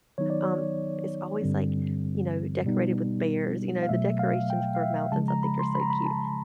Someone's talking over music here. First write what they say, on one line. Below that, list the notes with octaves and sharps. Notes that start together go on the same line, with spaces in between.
um, it's always, like, you know, decorated with bears, you know, the decorations for mountains, I think, are so cute,
D#3 F#3 B3 D#4 C#5
D5
C#5
G2 D3 G3 C4
B2 G3 B3 D#4
F5
B2 F#3 A3 E5
F5
G5
F5
E5
C#3 F3 G#3 A5
A#5
B5
C6
B5
A#5
B5
A5